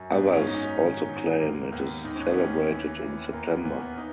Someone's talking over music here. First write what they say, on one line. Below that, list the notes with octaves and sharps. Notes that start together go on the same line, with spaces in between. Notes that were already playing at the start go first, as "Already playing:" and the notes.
Others also claim it is celebrated in September.
Already playing: F#2
G#2 B3
C#4
G#2 D#4
C#4
D#3
G#2
D#2 A#3
D#2 B3
D#2 D#4
C#4
B3
D#2 C#4
E3
E3
E2 A#3
B3
E2 B3
B3
D#4